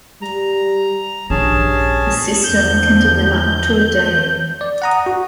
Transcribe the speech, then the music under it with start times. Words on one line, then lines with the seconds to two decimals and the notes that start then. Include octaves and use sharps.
The system can deliver up to a day.
0.22 G3 A#5
1.30 A#1 G2 G3 C#4 G#4 A5
2.44 E2 D3 F3 G6
4.61 D5
4.82 F#5 A#5 D#6
5.06 F#4